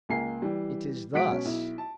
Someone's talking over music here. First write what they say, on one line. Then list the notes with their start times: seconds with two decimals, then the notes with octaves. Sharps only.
"It is thus."
0.09 C#2 A#3 G#5 C7
0.42 E3 G3
1.13 B2 F#3 G#3 F#5 B6 D7
1.30 B2 C#4
1.45 B1 E4
1.78 A5